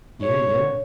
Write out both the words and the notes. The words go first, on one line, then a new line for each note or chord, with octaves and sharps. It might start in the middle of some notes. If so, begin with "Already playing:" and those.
Yeah, yeah.
C#5